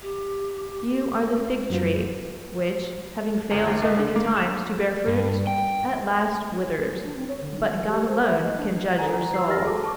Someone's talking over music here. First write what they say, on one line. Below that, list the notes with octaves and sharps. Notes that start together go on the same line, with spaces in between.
You are the fig tree which, having failed so many times to bear fruit, at last withered, but God alone can judge your soul.
G4
F#2 F#3 F4 C5
G1
D#2
B1
D3
A#3
E7
G2
G5
F#3
D4
C4
C#5
D3
D#4
E3
G4
C5
E5
D#5
D4
A4 A#4 F#5 G#5 A#5
F#5 A#5
E6 C7
G4 D5 E6 F6 A6 A#6
F#4 G#4 A4 A5 D6
A5 C#6 D6